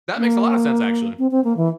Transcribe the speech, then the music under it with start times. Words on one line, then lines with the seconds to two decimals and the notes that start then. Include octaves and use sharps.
that makes a lot of sense, actually.
0.17 A#3
1.19 C4
1.31 C4
1.44 A#3
1.57 E3